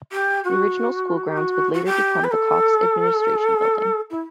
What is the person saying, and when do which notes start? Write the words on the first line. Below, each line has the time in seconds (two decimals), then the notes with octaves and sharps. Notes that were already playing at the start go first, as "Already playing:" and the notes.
The original school grounds would later become the Cox Administration Building.
0.11 G4
0.44 F#4
1.26 G4
1.37 F#4
1.73 F#4
1.85 G4
2.24 B4
2.31 A4
4.10 E4